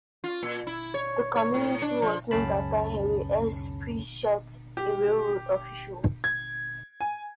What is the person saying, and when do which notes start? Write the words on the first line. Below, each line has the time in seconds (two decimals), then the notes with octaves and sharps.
The community was named after Henry S. Pritchett, a railroad official.
0.24 F4
0.43 A#2
0.67 E4
0.94 C#5
1.36 C#5
1.54 A2
1.82 D4
2.02 F3
2.31 C#2 F#2 C#3 C#4 A5 B5
4.77 G4
6.24 G#6
7.01 G#5